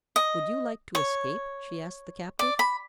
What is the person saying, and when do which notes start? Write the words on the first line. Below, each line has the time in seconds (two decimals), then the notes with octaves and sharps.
"Would you like to escape?" she asked the captive.
0.16 D#5
0.95 C#5
2.39 D5
2.59 B5